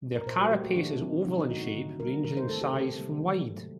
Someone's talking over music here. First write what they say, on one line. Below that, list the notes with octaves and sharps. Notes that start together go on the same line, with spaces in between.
Their carapace is oval in shape, ranging in size from wide.
A#4
A#2 C5
F#4
A3 G4
F#4
D#3 D4
F#3 A#3 C4
C3 D#4
D#4
D#3 A3 F#4
D#4
D3
G3 A#3 A#4
D#3 A#4
C5
A3 A4
G4
C3
G3 A#3
D#3
F#3 A3